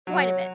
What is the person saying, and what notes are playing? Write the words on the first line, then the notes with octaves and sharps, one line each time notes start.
quite a bit.
F#3 C#5